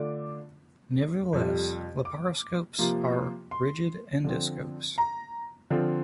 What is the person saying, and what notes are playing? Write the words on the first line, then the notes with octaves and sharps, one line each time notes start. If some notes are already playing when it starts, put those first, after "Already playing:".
Nevertheless, laparoscopes are rigid endoscopes.
Already playing: D3 A3 D4 F4 D6
F2 C3 G3
D6
C3 F3 A#3 F4
C6
D3 F3 C4
A#5
D3 F3 C4 F4